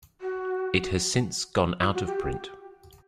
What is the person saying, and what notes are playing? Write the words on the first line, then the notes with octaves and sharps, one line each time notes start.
It has since gone out-of-print.
F#4
F4
F#4
G4